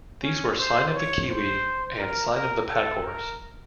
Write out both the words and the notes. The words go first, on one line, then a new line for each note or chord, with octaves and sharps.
These were Sign of the Kiwi, and Sign of the Packhorse.
C#4
C5
C#5
C5
A#4
A#4
A4
A#4